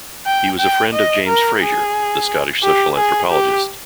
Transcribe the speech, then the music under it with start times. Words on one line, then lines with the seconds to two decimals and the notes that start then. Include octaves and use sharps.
He was a friend of James Frazer, the Scottish social anthropologist.
0.26 G5
0.60 G5
0.93 D#5
1.27 A#4
1.62 G#4
2.63 G4
2.97 G#4
3.31 G4